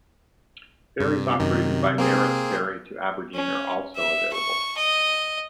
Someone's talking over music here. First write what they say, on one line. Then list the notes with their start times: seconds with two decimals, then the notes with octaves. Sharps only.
Ferries operated by Maris Ferry to Aberdeen are also available.
1.00 G2 C3
1.40 F#2 D#3
1.98 A#3 C4 G#4
3.34 C#4
3.96 E5
4.33 C#6
4.77 D#5